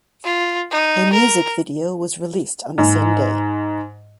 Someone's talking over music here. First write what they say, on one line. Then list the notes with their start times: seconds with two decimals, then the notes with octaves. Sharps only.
A music video was released on the same day.
0.24 F4
0.71 D#4
1.13 A#4
2.78 G#2